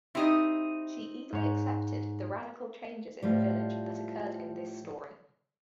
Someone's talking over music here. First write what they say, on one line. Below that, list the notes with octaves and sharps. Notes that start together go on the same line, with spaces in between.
She eagerly accepted the radical changes in the village that occurred in this story.
C4 D#4 E4 G4 D#5
G#2 C#5
A2 F3 G3